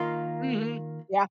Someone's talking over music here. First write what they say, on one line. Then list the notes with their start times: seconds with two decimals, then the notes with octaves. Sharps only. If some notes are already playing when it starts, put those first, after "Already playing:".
Mhm. Yeah.
Already playing: D#3 A#3 F4